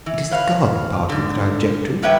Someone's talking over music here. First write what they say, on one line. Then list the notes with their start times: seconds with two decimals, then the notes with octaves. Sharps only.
It is the garden part of it that I object to.
0.06 E3
0.31 B4 C#5 F5
1.10 G#2 D3
2.02 G3 A#3 B4 C#5 E5 G5